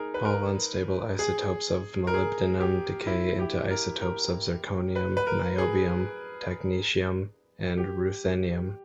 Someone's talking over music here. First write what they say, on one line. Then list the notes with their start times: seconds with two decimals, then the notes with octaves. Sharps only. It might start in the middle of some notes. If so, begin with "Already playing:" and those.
All unstable isotopes of molybdenum decay into isotopes of zirconium, niobium, technetium, and ruthenium.
Already playing: D#4 G#4 A#4
0.14 B4
0.25 A#4
1.19 G#4
2.07 A#4
2.14 G#4
2.60 G4
3.07 E4
3.39 G4
3.70 A#4
4.01 A#4
4.96 B4
5.17 B4
5.27 A#4
5.58 G#4
7.77 G4